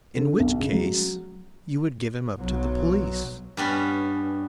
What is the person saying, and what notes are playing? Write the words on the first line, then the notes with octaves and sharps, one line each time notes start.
"In which case you would give him up to the police."
D3
B1
C#3
F#3
B1 F#3
G2 G3 B3 C#4